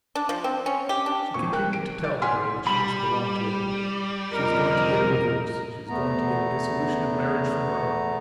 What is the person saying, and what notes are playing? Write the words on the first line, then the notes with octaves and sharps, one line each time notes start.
She continued to tell the girl that she must belong to Edward; she was going to get a divorce; she was going to get a dissolution of marriage from Rome.
D4
F3
C4
C#4
G4
D4
G#1 A#2 C#6
A#4 G5 F#6
D7
D5
F#5 G#5 C6 F6 B6
G3 B5
F2 F3 A#4 D#5
E2 A3 B3 A#5